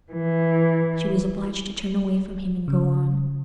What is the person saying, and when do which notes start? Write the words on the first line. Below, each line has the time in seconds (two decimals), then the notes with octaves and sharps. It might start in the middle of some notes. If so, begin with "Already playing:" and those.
She was obliged to turn away from him and go on.
0.12 E3
2.68 C#3